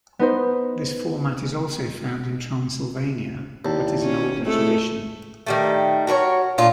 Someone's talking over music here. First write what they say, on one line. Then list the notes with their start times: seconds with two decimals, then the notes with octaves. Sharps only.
This format is also found in Transylvania but is an older tradition.
0.19 B3 D#4 C5
3.65 D#2 E4 D5 A5
4.02 C#4
4.45 G#3 A3 C4 E4 G#4 A4
5.46 D#3 G3 A3
6.07 F#4 A#4 B4 C#5
6.58 A#2 D4 F4